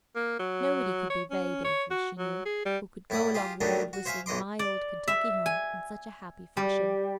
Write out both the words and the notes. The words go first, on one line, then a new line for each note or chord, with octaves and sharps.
Nobody could be very dangerous, she knew, who could go along the road whistling "My Old Kentucky Home" in such a happy fashion.
A#3
F#3
C#5
C#4
C#5
F#4
F#3
G#4
G3
A2 E4 D5 F#5 D#6
F4 G4 G#4
D#3 F#3 G3 A3 D4 D#4
F#4
C5 C#5 E5 F5 G#5
B1 E3 D#5 C6 D6
D5
E5
G#5
G3